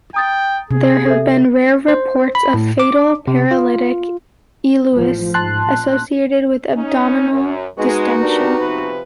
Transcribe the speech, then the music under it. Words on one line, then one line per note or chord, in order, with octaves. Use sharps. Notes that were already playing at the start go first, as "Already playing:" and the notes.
There have been rare reports of fatal paralytic ileus associated with abdominal distention.
G5 A#5 D#6 A6
C3 G#4
A4 E5
C5
B5
A2
D6
C3
F4
A1 A2 F3
G#2 A5 C6 F#6
A#2
C#4 D#4
F#2
G#3 B3 D#4 F#4
D4 G4 A#4
C3 F3 B4